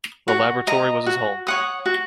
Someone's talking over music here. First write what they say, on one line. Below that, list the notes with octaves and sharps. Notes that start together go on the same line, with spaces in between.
The laboratory was his home.
F#4
D#5 A#5
F#4
C#5 F#5 D#6
F#4